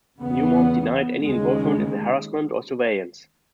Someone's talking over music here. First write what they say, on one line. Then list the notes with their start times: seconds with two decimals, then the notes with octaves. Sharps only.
Newmont denied any involvement in the harassment or surveillance.
0.20 E2 C#3 B3
1.25 D#2 C#3 G#3